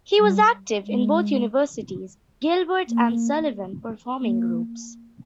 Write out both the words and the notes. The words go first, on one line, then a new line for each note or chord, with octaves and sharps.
He was active in both universities' Gilbert and Sullivan performing groups.
G3
G#3
A#3
A#3